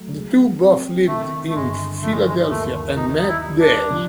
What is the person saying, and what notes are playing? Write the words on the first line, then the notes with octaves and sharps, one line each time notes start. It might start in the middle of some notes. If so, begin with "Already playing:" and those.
The two both lived in Philadelphia and met there.
Already playing: F#3 A3
G#3
C4
D#3 A3
A3
G1 G#3
F3 A3
G#3
G#3
D#2 A3
D#3 D#4
D#4
E4
G3
D4
F3